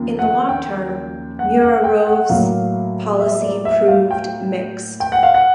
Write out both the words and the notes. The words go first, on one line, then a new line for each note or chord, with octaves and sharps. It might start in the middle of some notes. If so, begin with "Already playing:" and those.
In the long term, Muravyov's policy proved mixed.
Already playing: D#2 C#3 F3 A#3
F#5
G5
F#5
F#5
G5
F#5
A2 F#3 A#3 F5
E5
D5
E5
F5
G5
G5
F#5
F5
F#5